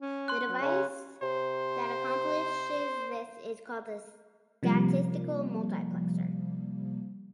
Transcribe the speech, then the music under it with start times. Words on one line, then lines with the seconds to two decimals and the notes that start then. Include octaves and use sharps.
The device that accomplishes this is called a statistical multiplexer.
0.02 C#4
0.28 C6 F#6
0.48 F#3
0.61 C#3 C#4
1.22 C3 C5
4.63 C3 F3 G3 A#3